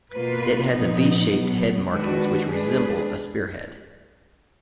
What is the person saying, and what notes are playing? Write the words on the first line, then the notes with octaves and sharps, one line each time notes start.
It has V-shaped head markings which resemble a spearhead.
B2 A#3 F4 B4
A#2 F3 B3 D#4
B2 F#3 B3
D#3 G#3 D4 F#4 B4
G#3 D4 G#4 B4